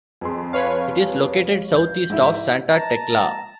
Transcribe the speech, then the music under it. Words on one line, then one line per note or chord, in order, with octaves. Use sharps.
It is located southeast of Santa Tecla.
F2 G#4 C6
B4 C#5 F5
G6
G#2 E4 E5
A5 A#5